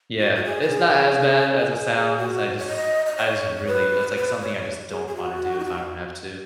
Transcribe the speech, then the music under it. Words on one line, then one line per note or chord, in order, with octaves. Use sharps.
yeah, it's not as bad as it sounds, I just I just really it's like something I just don't wanna do if I don't have to.
F#4
F#4
G#4
B4
G#4
F#4
C#5
D#5
D#5
C#5
B4
B4
C#5
G#4
G#4
F#4
D#4
F#4